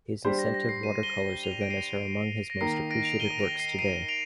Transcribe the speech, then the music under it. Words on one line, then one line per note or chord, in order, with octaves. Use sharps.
His inventive watercolors of Venice are among his most appreciated works today.
G3 D4 G4 C5
A#6
A#6
C7
C7 D#7
D#7 G7
F7
D#7
D7
C7 D#7
A#6
D#3 A#3 D#4 A#4 C7
A#6 D7
D7 F7
D#7 G7
D7 F7
C7 D#7
C7 D#7
D7 F7